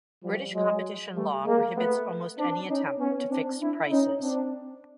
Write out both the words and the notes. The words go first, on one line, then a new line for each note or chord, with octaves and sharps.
British competition law prohibits almost any attempt to fix prices.
F3 G3
F#3 G#3
G3 A3
G#3 A#3
A3 B3
C4 D4
C#4 D#4
B3 C#4
C4 D4
D4 E4
C#4 D#4
C4 D4